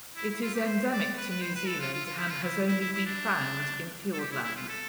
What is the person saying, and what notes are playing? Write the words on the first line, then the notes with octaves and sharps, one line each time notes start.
It is endemic to New Zealand and has only be found in Fiordland.
E4
E4
F4
G4
C5
D5
B4
B4
C5
B4
A4
F4
F4
F4
E4
F4
E4
E4
E4
E4
D4
A4
G4
E4
E4
F4
A4